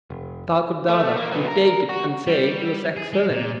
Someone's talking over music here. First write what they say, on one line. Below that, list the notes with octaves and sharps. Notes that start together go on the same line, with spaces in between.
Thakur Dada would take it, and say it was excellent.
F1
A3
A#3
F#3 B3
A#4
F#4
G3
G#4
G#3
A#2